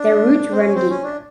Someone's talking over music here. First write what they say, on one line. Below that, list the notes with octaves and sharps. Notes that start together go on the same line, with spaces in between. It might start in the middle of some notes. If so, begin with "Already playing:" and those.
Their roots run deep.
Already playing: D4
C4
C#4
C4
C#4
D4